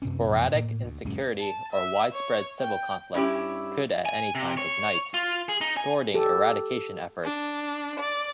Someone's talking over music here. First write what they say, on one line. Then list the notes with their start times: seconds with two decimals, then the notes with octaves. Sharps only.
Sporadic insecurity or widespread civil conflict could at any time ignite, thwarting eradication efforts.
0.02 F#2 C3 C4 C#4
0.31 F2 B2 E3
0.54 A2 A#3
0.84 D2
1.05 D1 F#2 G#3 C#4
1.39 A5
1.72 E5
2.13 C#5
2.60 G5
3.14 G2 C#4 E4 G4
4.06 G#5
4.35 C3
4.57 C#5
5.14 F4
5.49 G#4
5.61 D#4
5.77 G#5
6.14 G4 A4
7.24 D4
7.99 D5